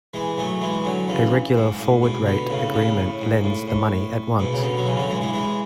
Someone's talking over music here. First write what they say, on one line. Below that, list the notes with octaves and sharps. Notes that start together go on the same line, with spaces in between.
A regular forward rate agreement lends the money at once.
E3 G#3
F#3 A3
E3 G#3
D3 F#3
C#3 E3
G#2
A2
G#2 B2
B2 D3
A2 C#3
A2 C#3
A2
G#2
A2
A2
G#2 B2
C#3
B2 D3
F#3
C#3 E3
D3 F#3
E3 G#3
E3 G#3
E3 G#3